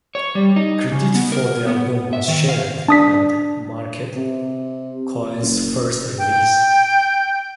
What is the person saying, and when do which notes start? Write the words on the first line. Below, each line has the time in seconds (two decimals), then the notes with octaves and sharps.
Credit for the album was shared, and marked Coil's first release.
0.15 C#5
0.35 G3
0.56 D#4
0.92 C#3
1.15 B3
1.32 A#4
1.67 B3
2.13 E5
2.28 D#3
2.49 F5
2.88 D4 A5 D#6 B6
4.16 C3
5.42 F#1
6.18 G5